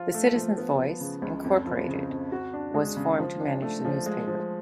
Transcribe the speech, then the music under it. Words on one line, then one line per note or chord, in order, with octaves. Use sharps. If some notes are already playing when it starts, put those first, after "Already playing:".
The Citizens' Voice, Incorporated was formed to manage the newspaper.
Already playing: F3 F4
A3
F3
B3
F3
C#3
C#2
F2
F3
C#3
F2
F#4
D4
G#3
C#3
F3
D4
A3
F3
G#3
F3